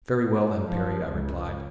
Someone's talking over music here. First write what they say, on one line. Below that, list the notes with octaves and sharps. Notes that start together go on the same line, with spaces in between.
"Very well then, Perry." I replied.
F3
C#2